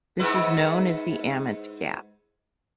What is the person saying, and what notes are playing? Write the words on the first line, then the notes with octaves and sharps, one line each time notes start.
This is known as the "amn't gap".
G#2 E4 B4